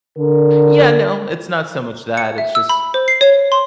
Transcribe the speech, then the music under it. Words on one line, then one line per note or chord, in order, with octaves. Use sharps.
Yeah, no. It's not so much that. It's just
D3 A#4
C#7
E5
E6
B5
C5
C7
C#5
C6